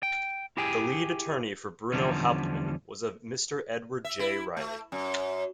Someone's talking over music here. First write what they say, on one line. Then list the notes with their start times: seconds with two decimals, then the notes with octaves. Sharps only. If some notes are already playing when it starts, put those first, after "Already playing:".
The lead attorney for Bruno Hauptmann was a Mr. Edward J. Reilly.
0.03 G5
0.57 E4 G4 G#4 G5 G#5
1.92 E2 D3 F3 G3 C#4
4.05 E5
4.19 E4
4.57 A3
4.92 F#2